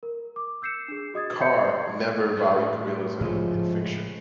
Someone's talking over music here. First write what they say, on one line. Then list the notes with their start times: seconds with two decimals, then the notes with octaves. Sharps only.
Carr never valued realism in fiction.
0.03 A#4
0.36 D6
0.62 E6 G6 C7 C#7 E7
0.88 D4 G#4
1.14 F#4 D#5 D#6 G#6 A6
1.40 C#5 E5 G6 G#6 C7 C#7
2.37 A2
3.21 G#2 C#3 F3 G#3 A3